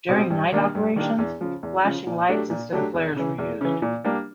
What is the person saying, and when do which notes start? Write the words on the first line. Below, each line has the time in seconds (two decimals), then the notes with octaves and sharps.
During nightoperations flashing lights instead of flares were used.
0.09 B2 G3 C4
0.31 G2
0.52 D#3 G3 A#3 D4
0.75 G2
0.96 D#3 G3 A#3 D4
1.18 E2
1.41 C#3 F3
1.63 E2
1.84 C#3 F3
2.07 A#2
2.28 F#3 A3 D4 G4
2.50 A#2
2.72 F#3 A3 D4 G4
2.94 E2
3.17 C#3 E3
3.38 E2
3.61 C#3 E3
3.82 A#2
4.04 G3 A#3 D4